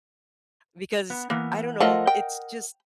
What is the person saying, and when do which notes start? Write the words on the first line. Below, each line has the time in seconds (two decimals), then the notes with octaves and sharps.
Because I don't know, it's just
1.10 B3
1.30 E3 A#3 B3
1.80 F3 A3 A#4 D#5 F#5
2.07 G5